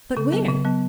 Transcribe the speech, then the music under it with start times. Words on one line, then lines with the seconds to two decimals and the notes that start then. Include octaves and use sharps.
"But where?"
0.17 C#3 A4
0.32 F#3 B3
0.48 C#3
0.65 F#3 B3